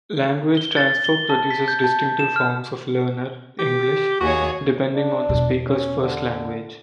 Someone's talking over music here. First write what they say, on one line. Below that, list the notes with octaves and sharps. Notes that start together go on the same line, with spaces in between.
Language transfer produces distinctive forms of learner English, depending on the speaker's first language.
G7
A6
G7
A5
B6
G6
A5
E7
F6
G4
D#2 F#4 G#4 C#5
D4
E2 B2
C#4
D3